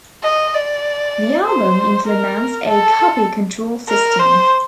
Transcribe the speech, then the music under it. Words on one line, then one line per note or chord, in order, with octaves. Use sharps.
The album implements a Copy Control system.
D#5
D5
C5
A#4
A4
A#4
C5